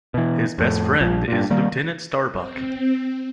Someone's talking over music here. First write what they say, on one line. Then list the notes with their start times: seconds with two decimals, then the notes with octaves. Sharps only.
His best friend is Lieutenant Starbuck.
0.14 B2 E3
0.58 F2 A2
1.01 A#1 F3
1.28 G2 A#2
1.50 D#3 G3 A#3
2.29 C4